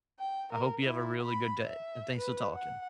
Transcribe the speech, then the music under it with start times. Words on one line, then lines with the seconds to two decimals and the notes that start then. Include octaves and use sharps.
I hope you have a really good day, and thanks for talking.
0.20 G5
0.52 A#4
0.84 E4
1.22 B5
1.61 E5
2.16 B4
2.54 F#5